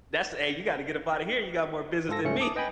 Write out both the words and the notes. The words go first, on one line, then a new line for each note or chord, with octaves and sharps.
that's hey, you gotta get up out of here, you got more business than me.
G#2 F4 A4 A#6
C#2 G#2 A3 C#4 C#7
A5 D6 D#6
B4 D#5 G5 G#5 B5